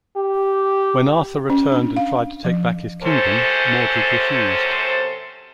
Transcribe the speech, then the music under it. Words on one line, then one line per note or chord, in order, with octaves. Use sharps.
When Arthur returned and tried to take back his kingdom, Mordred refused.
G4
C#4
D4
F5
F3
F#2 C3 C#4 A4 C5